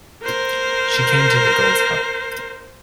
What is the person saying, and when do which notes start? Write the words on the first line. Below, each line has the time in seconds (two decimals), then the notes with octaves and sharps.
She came to the girl's help.
0.24 A#4 C5